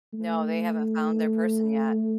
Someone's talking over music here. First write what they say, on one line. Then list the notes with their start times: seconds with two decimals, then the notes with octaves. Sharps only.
No, they haven't found their person yet.
0.13 A3